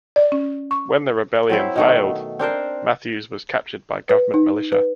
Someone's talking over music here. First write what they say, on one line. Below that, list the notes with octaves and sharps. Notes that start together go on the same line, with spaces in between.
When the rebellion failed, Matthews was captured by government militia.
D5
C#4
C#6
F#3 C4 E4
B2 D#3 A3
C4 D4 A#4 C5
B4
D#4
B4